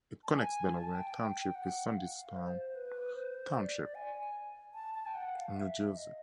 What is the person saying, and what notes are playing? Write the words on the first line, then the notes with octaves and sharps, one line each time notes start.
It connects Delaware Township with Sandyston Township, New Jersey.
A5
G#5
A5
G5
G5
G5
F#5
F5
C5
B4
C5
D5
G#5
A5
A5
G5
F#5
F5
E5
D#5